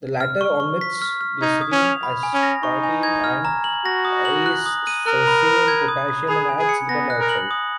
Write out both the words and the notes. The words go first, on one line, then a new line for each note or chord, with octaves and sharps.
The latter omits glycerin, aspartame, and acesulfame potassium, and adds silicon dioxide.
F6
C#6
C#6
B6
F6
F6
D#4 G#6
D#6
C#4
F7
B5
G#5
C#4
A#6
D#4 C#6
G#5
G#6
F6
A#5
F#7
F#4 A#6
D#6
F#7
F#6
D#6
D#7
A#4 F#6
B5
B5
G#6
D#6
D#6
G#4 B5
G#5
G#4
C#7
B3 A#6
F#6
A#4
F#7
D#6